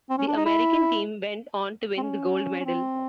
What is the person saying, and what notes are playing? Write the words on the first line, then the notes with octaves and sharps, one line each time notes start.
The American team went on to win the gold medal.
C4
C#4
D4
D#4
E4
C4
C#4
C#4
C4